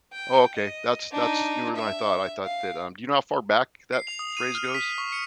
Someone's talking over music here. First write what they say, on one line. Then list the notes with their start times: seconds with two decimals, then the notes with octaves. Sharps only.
Oh, okay. That's that's newer than I thought. I thought that, um, do you know how far back that ph phrase goes?
0.12 G5
0.56 D#5
1.12 D4 D#4
1.75 E5
2.44 F5
3.93 C7
4.07 F7
4.19 D#6
4.37 D#7
4.55 F6
4.75 B6
4.98 C#6
5.12 C#7